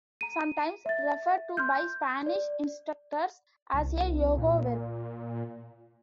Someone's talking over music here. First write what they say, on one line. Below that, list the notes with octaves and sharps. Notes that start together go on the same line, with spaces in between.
Sometimes referred to by Spanish instructors as a "Yo -go" verb.
A#5 D#7
E5 A6
C6 F6 G6
D5
C2
A#2